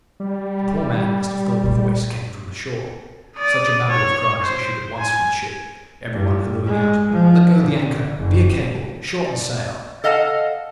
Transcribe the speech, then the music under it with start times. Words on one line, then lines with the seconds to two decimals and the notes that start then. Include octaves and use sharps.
The poor man must have thought the voice came from the shore: such a Babel of cries issued at once from the ship--every one hallooing out, "Let go the anchor! veer cable! shorten sail!"
0.20 G3
1.63 A#2 A3
3.37 D5 D#6
3.89 C#5
4.43 C5
4.99 G#5
6.13 G2
6.66 G#3
7.12 F3
7.59 D3
8.16 F#1
9.24 D5
10.04 A4 D#5 F5 F#5 A5